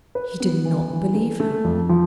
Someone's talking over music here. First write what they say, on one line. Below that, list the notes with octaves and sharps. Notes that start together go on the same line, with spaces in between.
He did not believe her.
B4
B3
E3
E3
A3
A3
F2
F3